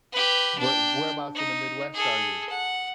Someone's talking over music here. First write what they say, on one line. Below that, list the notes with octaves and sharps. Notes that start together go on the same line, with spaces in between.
but whereabouts in the Midwest are you?
G4 B4
D4 G5
D#4
G#4 A4
F#5